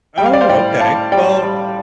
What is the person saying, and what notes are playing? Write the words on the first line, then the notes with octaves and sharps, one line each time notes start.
Oh, okay, well,
G3 G5
F5
D5
C5 F5
A2 D5 G5
A2 F5 A5
G3 D5 G5
G3